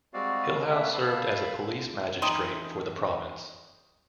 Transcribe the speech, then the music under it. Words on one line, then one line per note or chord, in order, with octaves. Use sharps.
Hillhouse served as a police magistrate for the province.
G3 G#3 C4 F#4 D5 F5
A3 A#3 C#4 B4 E5
A4 F5 A5 B5
D3
E2 D#4 G5 A#5 C6 D#6